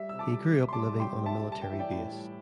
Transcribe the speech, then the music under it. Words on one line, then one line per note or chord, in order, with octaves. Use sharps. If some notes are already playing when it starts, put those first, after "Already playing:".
He grew up living on a military base.
Already playing: G3 E5
C3 E6
A5 D6
G3
C3
C6
G3 A5 D6
G3
G5 C6
G3
E5 A5
G3
G3 A5
G5
E3 E5
D5 G5
A2
G3